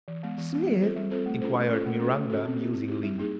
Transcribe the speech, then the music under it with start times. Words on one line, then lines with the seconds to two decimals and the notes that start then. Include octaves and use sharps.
"Smith?" inquired Miranda, musingly.
0.08 E3
0.23 G#3 B3
0.38 E3
0.53 G#3 B3
0.67 G3
0.82 C4 F4 A4 C5
0.96 G3
1.11 C4 F4 A4 C5
1.26 A3
1.41 C#4 F4 A4 C5
1.56 A3
1.70 C#4 F4 A4 C5
1.85 A3
1.99 C#4 F#4 A4
2.15 A3
2.30 C#4 F#4 A4
2.45 C4
2.59 E4 G4
2.73 C4
2.88 E4 G4
3.03 G3
3.18 A#3 D#4 G#4